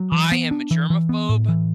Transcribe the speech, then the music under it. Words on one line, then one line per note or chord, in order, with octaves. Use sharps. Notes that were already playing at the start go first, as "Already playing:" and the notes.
I am a germaphobe
Already playing: F#3
E3
B3
D4
E3
E3
B3
A2
E3